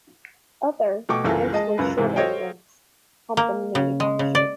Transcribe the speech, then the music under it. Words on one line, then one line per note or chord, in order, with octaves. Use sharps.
Other, mostly shorter lengths have been manufactured.
B2 A3 G5 C#6 D6
F#1 C2 E3 F4 A4 A#4
G#3 D#5 A5
C#2 F#2 B4
G#2 C3 E3
A4 C5 C#5 D#5 F5 G5
A#3
C#3
G#3
C#3
D5